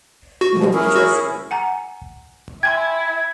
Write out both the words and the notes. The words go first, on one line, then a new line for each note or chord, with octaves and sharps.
We will reach our spring.
F#4
F#2 B2 F3
C#4 E4 G#4 A#4
F#4
F#5 G#5 A#5
E4 G5 G#5 C6 G#6